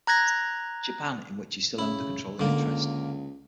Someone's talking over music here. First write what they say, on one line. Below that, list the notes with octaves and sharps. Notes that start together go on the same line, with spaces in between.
Japan in which he still owned a controlling interest.
A#5 F#6 G#6 A#6
C#3 E4
C#2 D3 A#3